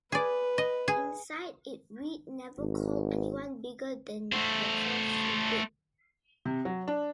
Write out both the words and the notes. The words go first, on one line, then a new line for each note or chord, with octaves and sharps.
Inside it read "Never call anyone bigger than yourself stupid".
G#4 B4 D5
D#5
G#4
G#1
A3 C5
C3
F#3
D4